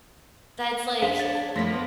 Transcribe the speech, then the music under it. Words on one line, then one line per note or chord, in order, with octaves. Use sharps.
"That's, like
D4 G#4 C5 F5 B6
C#5 A6
A5
F3 A3 A#3 B5 C6 A#6 B6
B3